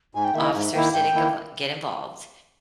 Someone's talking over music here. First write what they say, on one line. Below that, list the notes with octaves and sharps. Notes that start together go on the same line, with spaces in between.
officers didn't get vo get involved,
G#2 G#5
G5
D#3 A#3 E4 E5
D#5
G#2 E5
D#3 A#3 E4 G5
G#2 G5
D#3 A#3 E4